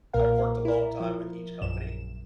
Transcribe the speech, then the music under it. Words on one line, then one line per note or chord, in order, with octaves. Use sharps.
I've worked a long time with each company
B1 A#2 A#4 F5
E4 A#4
F3
A#1 F#2 E7